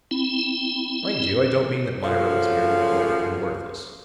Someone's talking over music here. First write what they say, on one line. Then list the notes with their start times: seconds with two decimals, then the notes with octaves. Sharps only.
Mind you, I don't mean that Myra was merely flippant and worthless.
0.11 C4 E4
2.02 C#3 F3 F#3 A3 A#3